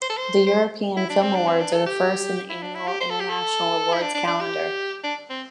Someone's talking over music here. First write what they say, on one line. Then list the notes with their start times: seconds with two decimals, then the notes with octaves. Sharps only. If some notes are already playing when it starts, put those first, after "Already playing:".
The European Film Awards are the first in the annual international awards calendar.
0.02 C5
0.10 A4
0.17 C5
0.46 C5
0.97 E4
1.10 D4
1.22 C4
1.35 D4
1.47 C4
1.60 D4
1.73 A4
1.86 G4
2.50 E4
2.62 D4
2.75 E4
2.88 G4
3.00 C5
3.10 A4
3.20 G4
3.29 A4
3.93 E4
4.02 D4
4.14 D4
4.27 D4
4.41 G4
5.03 D4
5.30 C4